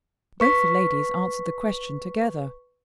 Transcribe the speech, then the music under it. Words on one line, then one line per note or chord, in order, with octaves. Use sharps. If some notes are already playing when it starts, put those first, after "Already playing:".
Both the ladies answered the question together.
B4 C#6 B6